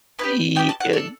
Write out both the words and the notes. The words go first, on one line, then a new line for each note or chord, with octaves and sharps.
Ye uh,
B3 E4 G4 B4
B3 E4 G4 G5
A5
F#5
D4 A4